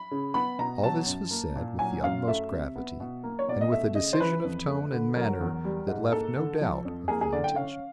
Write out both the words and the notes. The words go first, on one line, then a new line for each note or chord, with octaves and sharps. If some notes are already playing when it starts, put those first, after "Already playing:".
All this was said with the utmost gravity, and with a decision of tone and manner that left no doubt of the intention.
Already playing: B5
C#3
B3 B5
B2 A#5
F#3 A5
F#2
A#3
A#2
F#3 G#5
F#2 F5
A3 E5
C3
B3
B2
A#3
C#5
B2 D5
D#5
A3 E5
C#3 D#5
C5
E3 B4
F2
A3
D3
F#3 A#4
E2
G3
G#2
A#3 A4
D3
F3
F2
A#3 G#4
G#4
D3 D5
G5
C#4 F5